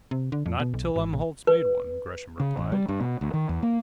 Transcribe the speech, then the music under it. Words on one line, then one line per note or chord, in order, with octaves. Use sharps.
"Not till Umholtz made one," Gresham replied.
C3
D3
F2
B2
B1
G#1
A#1
B4
C#3
A1
G3
G2
B2
D2
D#3
E2
A#3